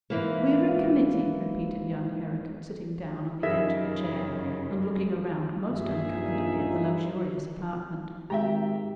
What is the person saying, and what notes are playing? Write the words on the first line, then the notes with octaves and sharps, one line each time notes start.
"We're a committee," repeated young Herricote, sitting down on the edge of a chair, and looking around most uncomfortably at the luxurious apartment.
G#2 E3 A#3
F#2 C#3 D#4 G4 G#4 A#4 D#5 E5
A#1 G2 D#4 F4 G#4 E5
G#1 G#3 G4 E5 G5 A#5